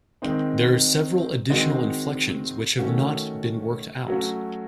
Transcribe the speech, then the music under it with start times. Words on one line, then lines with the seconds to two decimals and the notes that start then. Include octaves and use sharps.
There are several additional inflections which have not been worked out.
0.22 D#3 G#3 C4 D#4
1.50 D#3 G#3 C4 D#4 F#4
2.79 D#3 A3 C#4 F#4
4.08 F#3 A3 C#4 F#4